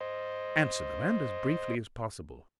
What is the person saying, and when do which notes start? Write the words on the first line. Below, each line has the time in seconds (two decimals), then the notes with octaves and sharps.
Answer them, and as briefly as possible.
0.01 C5 D#5